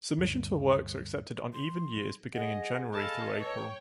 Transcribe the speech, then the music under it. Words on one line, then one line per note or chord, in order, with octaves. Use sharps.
Submissions for works are accepted on even years beginning in January through April.
D2 G2
C6
G#4 D#5 F#5
A4 D#5 F5 G#5 A5 B5
B4 C#5 G5 C#6